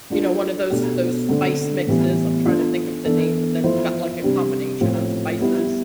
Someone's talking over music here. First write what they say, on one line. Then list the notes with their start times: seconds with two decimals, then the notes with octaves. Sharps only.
you know, one of those those spice mixes. I'm trying to think of the name, but that's got, like, a combination of spices,
0.10 A3 D4 F4
0.70 B2 A3 D4 G4
1.28 D3 A3 C4
1.87 A2 E3 G3 B3
2.46 A3 D4 F4
3.05 E3 B3 D4 A4
3.64 F3 A3 E4 A4 C5
4.22 C3 G3 D4
4.81 A2 F3 C4 F4
5.40 G3 B3 E4